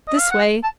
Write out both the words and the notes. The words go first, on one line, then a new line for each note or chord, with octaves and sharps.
This way.
D#5
F5
F#5
A5